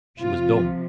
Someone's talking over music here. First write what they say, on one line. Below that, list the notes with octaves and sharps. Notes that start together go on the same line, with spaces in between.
'She was dumb.
C3 F3 F4